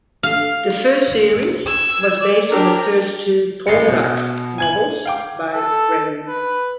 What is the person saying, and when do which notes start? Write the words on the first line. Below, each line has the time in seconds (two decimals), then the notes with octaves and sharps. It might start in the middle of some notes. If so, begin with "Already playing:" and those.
The first series was based on the first two "Poldark" novels by Graham.
0.23 F5
1.66 E6 G#6
2.21 D5
2.51 D4 G4 A#4
3.67 A1 G#3 C#7
3.88 B2
4.58 G#5 G#6 F#7
5.05 F5 G5 D6
5.54 A4
6.28 B4